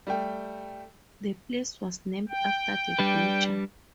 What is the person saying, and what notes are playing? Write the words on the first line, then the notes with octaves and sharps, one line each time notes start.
The place was named after the Gujar.
G3 A3 G5
G5
G3 D4 B4